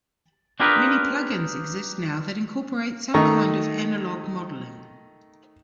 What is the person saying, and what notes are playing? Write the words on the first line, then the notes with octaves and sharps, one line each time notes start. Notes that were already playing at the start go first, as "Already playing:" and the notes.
Many plug-ins exist now that incorporate some kind of analog modeling.
D4 F4 G4 G#4 A#4 B4
D#3 A3 D#5 A#5 C#6